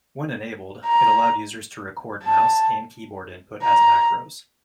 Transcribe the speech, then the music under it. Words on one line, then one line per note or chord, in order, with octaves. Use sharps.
When enabled, it allowed users to record mouse and keyboard input as macros.
A#5
A5
A#5